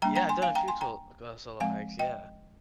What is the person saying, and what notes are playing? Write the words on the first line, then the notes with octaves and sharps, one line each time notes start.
Yeah, I've done a few tol uh, solo hikes, yeah.
G3 A#3 D4 G5 A#5
G5 A#5
G#5 C6
F5 G#5
G5 A#5
G#5 C6
G5 A#5
F3 G#3 C4 F5 G#5
D#5 G5